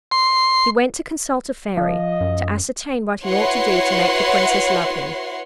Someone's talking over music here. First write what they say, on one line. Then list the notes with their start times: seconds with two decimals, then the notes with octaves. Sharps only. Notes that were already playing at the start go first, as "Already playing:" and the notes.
He went to consult a fairy, to ascertain what he ought to do to make the Princess love him.
0.12 C6
1.77 F3 D#5
2.21 F#2
3.25 E4 F#4 B4 C#5 F#5 C6